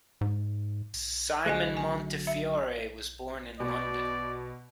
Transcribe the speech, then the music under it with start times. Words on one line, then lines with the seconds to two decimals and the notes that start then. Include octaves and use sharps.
Simon Montefiore was born in London.
0.21 G#2
1.46 D3 F#3 A3 G#4 D#5 G#5
1.77 G#5
2.27 E5
3.60 B2 D5